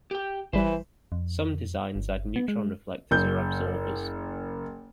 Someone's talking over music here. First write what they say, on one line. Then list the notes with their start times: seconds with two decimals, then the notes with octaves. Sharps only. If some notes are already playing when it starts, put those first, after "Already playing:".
Some designs add neutron reflectors or absorbers.
0.11 G4 G5
0.53 G#1 E3 G3 B4 C5
1.12 F2
1.96 G1
2.36 B3
2.48 G#3
3.11 F#1 G6